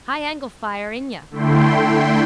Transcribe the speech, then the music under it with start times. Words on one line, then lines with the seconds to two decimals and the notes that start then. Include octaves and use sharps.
High angle fire, inyah!
1.30 D3 A3 E4 G5 C6